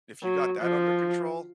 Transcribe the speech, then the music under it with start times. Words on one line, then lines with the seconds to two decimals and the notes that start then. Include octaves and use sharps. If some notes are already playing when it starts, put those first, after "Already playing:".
if you got that under control
0.24 F#3
0.61 F3